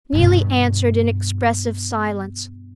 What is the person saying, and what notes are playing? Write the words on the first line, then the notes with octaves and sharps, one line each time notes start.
Neelie answered in expressive silence.
G2 B2